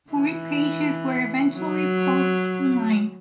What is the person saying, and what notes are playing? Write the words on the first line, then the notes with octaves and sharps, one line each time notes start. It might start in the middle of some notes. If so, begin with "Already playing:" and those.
Forty pages were eventually posted online.
E3
F#3